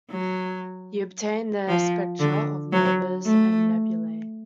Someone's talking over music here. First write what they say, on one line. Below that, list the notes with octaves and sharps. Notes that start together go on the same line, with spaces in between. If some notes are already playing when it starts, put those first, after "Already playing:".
He obtained a spectra of novas and nebulae.
F#3
F3
D3
F#3
A3